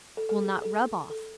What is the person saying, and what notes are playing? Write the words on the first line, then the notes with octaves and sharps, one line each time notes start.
Will not rub off.
A4
A4
G#4
A4
A4